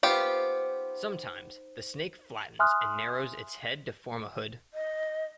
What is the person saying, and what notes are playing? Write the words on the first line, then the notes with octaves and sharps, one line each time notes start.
Sometimes, the snake flattens and narrows its head to form a hood.
B3 D#4 F4 G4 C5 C6
E5 G#5 C6 D#6 F6 F#6
D#5